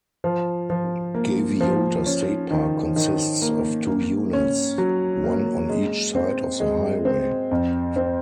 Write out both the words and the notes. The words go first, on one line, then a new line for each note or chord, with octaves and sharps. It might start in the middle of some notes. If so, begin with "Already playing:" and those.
Gaviota State Park consists of two units, one on each side of the highway.
F3
F3
A#3
F3
C#4
D#3
D#3
A#3
A#3
C#4
F#3
A#3
G#3
C4
G#3
C4
F2
C4